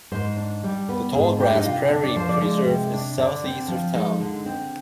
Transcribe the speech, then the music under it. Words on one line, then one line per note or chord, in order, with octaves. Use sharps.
The Tallgrass Prairie Preserve is southeast of town.
G#2 C5
D4
G3
B3 B4
G#2 G#4
D4 G4
D#4
C3 F4
D4
D5
F3 C5
D5
G#3
C3
D4
D3 D5
C4
F3
G#3 D#4
D3
C4